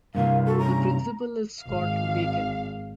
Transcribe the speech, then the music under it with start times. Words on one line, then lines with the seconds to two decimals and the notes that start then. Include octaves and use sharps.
The principal is Scott Bacon.
0.15 G2 C3 E3 A#4 F5
0.46 F#4 A4
0.58 C#3 A#5
1.62 G#1 F5